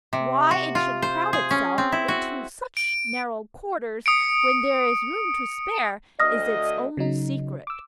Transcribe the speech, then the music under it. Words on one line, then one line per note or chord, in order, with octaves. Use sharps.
Why it should crowd itself into such narrow quarters when there is room to spare is its own secret.
C3
F#4
F4
C5
G#4
C#4
C4
E4
F#4
D7
D#6 C#7 D7
D2 D#5 D#6 F6 A#6
C#3 F#3 D#4
D6 E6